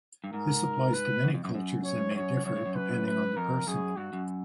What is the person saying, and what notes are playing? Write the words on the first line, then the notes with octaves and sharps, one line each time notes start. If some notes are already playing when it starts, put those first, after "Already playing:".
This applies to many cultures and may differ depending on the person.
G2
G#2 A#4
B4
F#2
F2
F#2
F#2
C#5
G2
F#2 C#5
F#2 C#5
G2
F#2
B4
B4
F2 A#4
F#2 G#4
G2 F#4
F#2